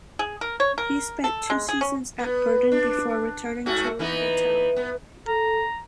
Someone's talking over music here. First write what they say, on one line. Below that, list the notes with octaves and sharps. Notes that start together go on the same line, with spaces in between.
He spent two seasons at Burton before returning to Rugby Town.
G#4
A#4
C#5
A#4
A4
G#3
G#4
C#4
B3
D4
G#2 A3 F#4
E3 B3 D#4
B3
A4 A#5